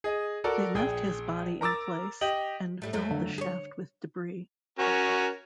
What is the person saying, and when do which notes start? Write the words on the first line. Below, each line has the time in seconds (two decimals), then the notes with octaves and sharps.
They left his body in place and filled the shaft with debris.
0.04 G#4 D#5
0.44 F#4 A4 A#4 D5
0.74 A#1 G#4 G5
1.61 A#4 A#5 D6 E6 A6
2.21 G4 D#5 F#7
2.82 A2 G3 A3
2.93 F2 F#3 A3
3.11 D3
3.38 G#4 C#5
4.79 C#4 F#4 A#4